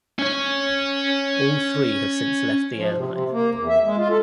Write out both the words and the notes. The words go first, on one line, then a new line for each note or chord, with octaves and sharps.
All three have since left the airline.
C#4 C#5
F3
C3
C3
A#3
E2
E5
G#3
F4
A4